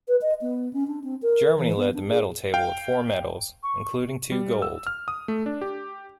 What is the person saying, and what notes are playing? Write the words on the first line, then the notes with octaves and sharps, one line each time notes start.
Germany led the medal table with four medals, including two gold.
B4
D#5
B3
C#4
D4
C4
A#4
E3
B3
D4
G#4
F5 G5
C#6
G3
E6
F6
D#6
A3
D4
G4